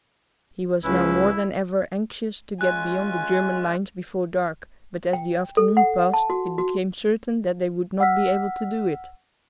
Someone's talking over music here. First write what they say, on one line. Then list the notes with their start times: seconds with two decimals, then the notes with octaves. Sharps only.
He was now more than ever anxious to get beyond the German lines before dark, but as the afternoon passed it became certain that they would not be able to do it.
0.84 C#2 F3 C#4 E4 B4
2.61 G#3 C#4 F4 G#5 F#6
5.13 G5
5.57 A4
5.77 F#5
6.14 A5
6.30 F#4
6.58 F#4
8.00 F#5 E6 F6 B6